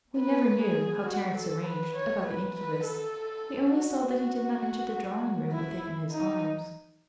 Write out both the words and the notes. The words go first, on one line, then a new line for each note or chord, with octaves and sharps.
We never knew how Terence arranged about the incubus; we only saw that he did not enter the drawing room with it in his arms.
B4
G#4
F#4
A4
B4
C#5
B4
B4
A4
F#4
E4
D#4